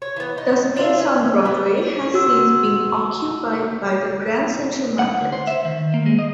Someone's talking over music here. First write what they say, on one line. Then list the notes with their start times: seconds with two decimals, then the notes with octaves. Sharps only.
The space on Broadway has since been occupied by the Grand Central Market.
0.02 C#5
0.16 E3 B3
0.38 D#4
0.76 D4 F4 D5 E5
0.98 C#4
1.45 B3
2.14 F#4 E6
4.99 F#5
5.21 D2
5.32 C5
5.47 E5
5.65 D#3
5.94 A#3
6.06 G#3
6.19 D#5